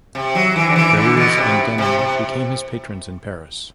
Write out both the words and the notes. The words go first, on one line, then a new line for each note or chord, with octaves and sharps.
Greuze and Denon became his patrons in Paris.
C3
F#3
E3
D3
E3
D3
B2
C3
C3
C3